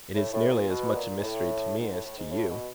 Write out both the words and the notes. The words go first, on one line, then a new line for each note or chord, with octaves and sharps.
"It is nearly as much a mystery to me as to you."
A2
A2
A#2
B2
A#2
G#2
A2
G#2
A2
A2
G#2
A2
B2